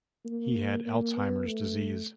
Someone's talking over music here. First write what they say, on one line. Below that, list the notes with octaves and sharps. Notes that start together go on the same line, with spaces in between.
He had Alzheimer's disease.
A#3
A#3
B3
A3